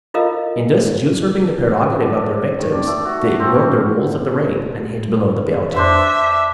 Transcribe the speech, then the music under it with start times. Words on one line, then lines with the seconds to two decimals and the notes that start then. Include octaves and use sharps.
In thus usurping the prerogative of their victims, they ignore the rules of the ring, and hit below the belt.
0.14 E4 F4 A4 A#4 D#5 F5
2.00 D4
2.13 D4
2.59 D#3
2.71 D5
2.87 A3
3.05 F#4
3.24 F#4
3.40 C4
3.54 C#4
5.74 F2 D4 C5 E5 C6